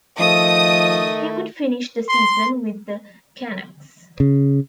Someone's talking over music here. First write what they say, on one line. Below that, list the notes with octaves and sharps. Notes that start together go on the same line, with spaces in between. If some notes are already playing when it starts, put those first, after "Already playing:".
He would finish the season with the Canucks.
D#3 F3 A3 D#5 D#6
C6
C#3